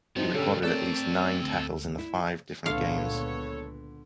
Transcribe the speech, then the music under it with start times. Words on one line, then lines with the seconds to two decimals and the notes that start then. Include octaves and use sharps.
He recorded at least nine tackles in five different games.
0.16 F3 F#3 B3 C4 D#4 E4
0.34 B2 D3 G3 C#4 G4 A4
0.63 A3 C4 A4 A#4 C#5 D5 G5
1.43 D2 E6
1.98 E4
2.66 C#2 A#2 D3 B3 A4 C#5 F5